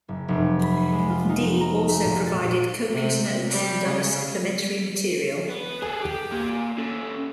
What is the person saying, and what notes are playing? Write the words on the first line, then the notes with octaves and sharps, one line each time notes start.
Dee also provided copious notes and other supplementary material.
F#1
F1
B5
G#3
F4
D#4
A#5
A3
A#2
A6
C3
G3
C#3
B3
G#4 A4
G4
A#3 G#5
C#4 A4